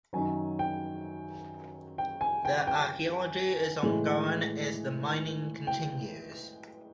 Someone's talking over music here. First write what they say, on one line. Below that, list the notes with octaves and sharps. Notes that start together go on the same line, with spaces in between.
The archaeology is ongoing as the mining continues.
F#2 D#3 F#3 G#5
G5
G5
G#5
G5
G5
A2 E3 G#3
G5